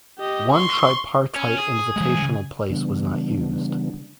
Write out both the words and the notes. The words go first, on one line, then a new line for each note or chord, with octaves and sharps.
One tripartite invitational place was not used.
G4 D#5
C6 C#6
C#4
G#4
E3 G3 G#3
C#3
C#3 E3 G3 B3 D4